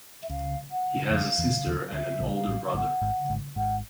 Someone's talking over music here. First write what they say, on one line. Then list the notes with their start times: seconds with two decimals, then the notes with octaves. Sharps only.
He has a sister and an older brother.
0.22 E5
0.29 C#2 C#3 F5
0.71 F#5
1.11 F2 F3 F5
1.38 E2 E3
1.66 D#2 D#3
1.87 F5
1.92 D2 D3 E5
2.20 A#1 A#2
2.34 F5
2.47 A1 A2
2.65 F5
2.74 G#1 G#2 F#5
3.02 G#1 G#2
3.29 G#1 G#2
3.56 G#1 G#2 F#5